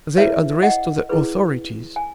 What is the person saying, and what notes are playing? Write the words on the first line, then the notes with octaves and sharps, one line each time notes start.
They addressed to the authorities.
E4 G#4 B4 C#5 E5
D#5 F#5
E4 G#4 B4
G#5